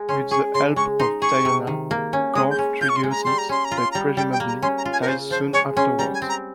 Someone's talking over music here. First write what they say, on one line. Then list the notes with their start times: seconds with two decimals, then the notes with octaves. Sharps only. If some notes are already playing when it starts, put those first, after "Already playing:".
With the help of Diana, Garth triggers it, but presumably dies soon afterwards.
Already playing: G#3
0.09 C#4 C6
0.31 G#4 C#6
0.54 C#3 C6
0.76 G#3 C#6
1.00 D#4 C6
1.22 G#4 C#6
1.45 C3
1.67 D#3
1.91 A#3
2.13 C#4
2.35 G#3 D#6
2.51 G6
2.59 C#4
2.81 F4 G6
2.89 C#6
2.96 C6
3.03 G#3
3.11 A#5
3.24 G3 C6
3.38 A#5
3.49 C#4 C6
3.65 A#5
3.71 F4
3.78 C6
3.92 A#5
3.95 G3
4.17 G3 G5
4.32 G5
4.40 A#3
4.48 A#5
4.62 C#4 C6
4.77 A#5
4.85 F4
4.93 G#5
5.02 A#4
5.08 C#3 C5
5.31 F3 C5
5.53 G#3 C#5
5.76 C#4 C6
5.98 G3 A#5
6.14 G#5
6.22 C4
6.29 A#5